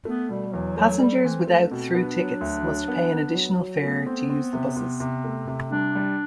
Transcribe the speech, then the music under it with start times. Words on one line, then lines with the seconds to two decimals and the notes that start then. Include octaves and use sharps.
Passengers without through tickets must pay an additional fare to use the buses.
0.05 A3 B3
0.29 B2 G3
0.53 E2 F#3
0.77 F#3 A3
1.00 G3 A3
1.16 F#3
1.24 E3 C4
1.47 F#3 A3
1.61 D4
1.70 B2 C4
1.94 B3 D4
2.18 F#3
2.41 D2
2.64 F#3
2.88 B3
3.12 B3
3.35 F#3
3.59 F#3
3.82 A3 B3
4.06 C4
4.30 C4
4.53 C3
4.76 C3
5.00 C3
5.24 A3
5.48 C3
5.71 G3 D4
5.95 G3